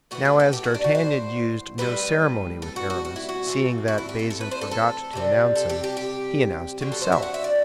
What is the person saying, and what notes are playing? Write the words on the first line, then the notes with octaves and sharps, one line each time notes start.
Now, as d'Artagnan used no ceremony with Aramis, seeing that Bazin forgot to announce him, he announced himself.
A2 E3 B3 F#4
G4
A4
G4
F#4
D4
F#4
C5
A2 G3 C4 B4
A4
F#4
F#4
F#4
E4
F#4
E3 A3 C4
F#4
E4
G4
A4
A4
B4
C5
A4
A4
C3 G3 C4
A4
G4
G4
G4
D3 F#3 C4 G4
A4
C5
E5
F#5
E5
D5